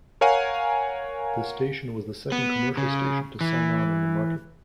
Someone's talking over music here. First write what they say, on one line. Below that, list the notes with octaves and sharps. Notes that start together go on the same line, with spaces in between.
The station was the second commercial station to sign-on in the market.
A#4 C#5 F5 F#5 G#5 A#5
B3
C#3
E3